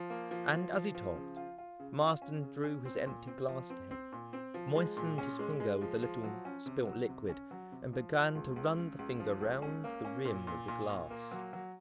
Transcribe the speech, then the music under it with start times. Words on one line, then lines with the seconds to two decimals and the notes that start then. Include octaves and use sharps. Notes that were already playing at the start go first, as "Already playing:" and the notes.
And as he talked, Marsden drew his empty glass to him, moistened his finger with a little spilt liquid, and began to run the finger round the rim of the glass.
Already playing: F3
0.10 A#3
0.31 F3
0.52 F3
0.73 F3
0.95 F3
1.15 C#3
1.37 F4
1.58 F4
1.80 C#3
2.00 F4
2.22 C#4
2.43 C#3
2.64 C#4
2.85 C4
3.06 A#2
3.27 C4
3.48 F3
3.70 C4
3.91 C4
4.12 A#2
4.33 C4
4.54 F3
4.75 G#3
4.97 A#2
5.18 C#4
5.39 G#3
5.60 G#3
5.81 F3
6.02 F3
6.24 F#3
6.45 C#4
6.66 C3
6.87 F#3
7.09 C3
7.29 C#4
7.51 F#3
7.72 C3
7.93 F3
8.14 F3
8.35 C#2
8.56 C#2
8.78 C#3
8.99 C#2
9.20 F3
9.41 C#2
9.62 C#4
9.84 A#3
10.05 C#4
10.25 A#2
10.47 A#2
10.68 A#2
10.89 A#2
11.10 A#3
11.31 F#3
11.53 F#3